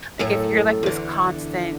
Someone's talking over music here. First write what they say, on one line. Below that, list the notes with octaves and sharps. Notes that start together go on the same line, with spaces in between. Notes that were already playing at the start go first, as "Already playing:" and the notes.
Like, if you're, like, this constant,
F#2 A2 A3
E2 D3